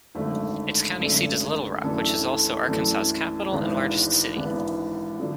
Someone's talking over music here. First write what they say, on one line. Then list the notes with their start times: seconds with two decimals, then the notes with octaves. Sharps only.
Its county seat is Little Rock, which is also Arkansas's capital and largest city.
0.15 G#1 F#2 D3 A3
0.99 G#1 F#2 D3 A3
1.83 F#2 E3 A3 D4 A4
2.68 F#2 E3 A3 D4 A4
3.52 G#1 G#2 E3 B3 D4
4.36 G#1 G#2 E3 B3 D4
5.20 D3 F#3